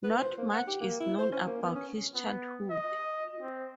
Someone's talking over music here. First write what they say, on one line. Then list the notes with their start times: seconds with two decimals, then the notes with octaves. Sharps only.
Not much is known about his childhood.
0.04 B4
0.19 C5
0.38 A#3
0.52 F#5
0.67 G4
0.81 A#3
1.00 E4
1.19 C5
1.32 C#4
1.47 A#3
1.63 B3
1.75 C#4
2.14 B3
2.70 D#5
3.41 C4